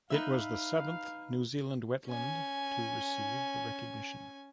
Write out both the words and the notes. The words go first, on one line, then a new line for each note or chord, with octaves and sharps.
It was the seventh New Zealand wetland to receive the recognition.
D#4 B4 E5 F5
C#4 G#5